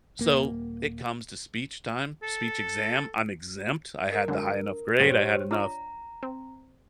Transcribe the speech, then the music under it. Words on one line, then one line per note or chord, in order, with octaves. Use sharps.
So it comes to speech time, speech exam, I'm exempt, I had the high enough grade, I had enough
D#1 A#3
A4
A#4
D3 F#3 G#3
G2 A#2 F#3 G4 C5 C#5
D4 F4 C#5 A#5
C4